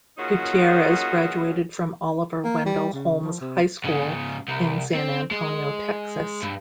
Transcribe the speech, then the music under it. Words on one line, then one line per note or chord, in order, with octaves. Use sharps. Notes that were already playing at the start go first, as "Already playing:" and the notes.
Gutierrez graduated from Oliver Wendell Holmes High School in San Antonio, Texas.
A#2 C#3 C#4 D#4 F#4
A#3
G3
C#3
F3
C3
G#2 C#3
C2
C4
G#3
G2